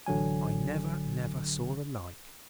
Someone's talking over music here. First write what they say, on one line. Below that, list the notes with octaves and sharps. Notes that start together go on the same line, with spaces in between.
'I never, never saw the like.
A1 D3 F#3 G#5